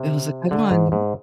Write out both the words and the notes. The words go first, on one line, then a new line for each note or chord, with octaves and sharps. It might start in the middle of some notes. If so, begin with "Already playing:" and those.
It was a good one.
Already playing: C3
D3
G#2
G#2